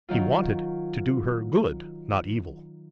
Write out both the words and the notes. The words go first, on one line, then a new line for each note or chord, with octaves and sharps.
He wanted to do her good, not evil.
D#3 F#3 F4